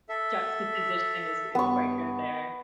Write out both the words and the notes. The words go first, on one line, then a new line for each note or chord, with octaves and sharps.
juxtaposition is is quite good there.
A4 E5
G2 B3 C#6